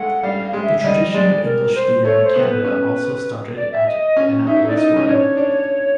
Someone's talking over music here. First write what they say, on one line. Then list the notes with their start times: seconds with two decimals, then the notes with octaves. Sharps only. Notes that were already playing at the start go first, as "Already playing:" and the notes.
The tradition of English theatre in Canada also started at Annapolis Royal.
Already playing: G#3 A3 F#5
0.23 G3 F5
0.53 G#3
0.63 E5
0.78 E5
0.84 G3 D#5
1.14 G#3 D5
1.44 A#4
1.75 C5
2.04 A3 C#5
2.24 C5
2.35 B3
2.45 B4
2.65 C#4
3.56 D5
3.72 E5
3.86 D#5
4.17 C#4
4.47 D#4 E5
4.56 E4
4.65 D#4 D5
4.77 D#4 D#5
4.96 C#4
5.08 D4 C#5
5.37 D4